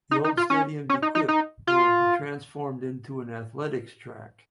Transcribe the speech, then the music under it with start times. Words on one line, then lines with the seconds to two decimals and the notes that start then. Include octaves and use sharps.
The old stadium 'De Kuip' will be transformed into an athletics track.
0.11 D#4
0.24 D#4
0.37 F4
0.50 C#4
0.89 C#4
1.02 D#4
1.15 D#4
1.28 D#4
1.67 F4